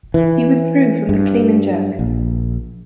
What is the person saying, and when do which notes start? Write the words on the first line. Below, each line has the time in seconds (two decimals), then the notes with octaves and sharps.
He withdrew from the clean and jerk.
0.14 E3
1.09 G2
1.99 A#1